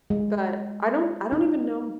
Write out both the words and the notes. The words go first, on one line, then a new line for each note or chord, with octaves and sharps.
but I don't I don't even know.
G#3
D#4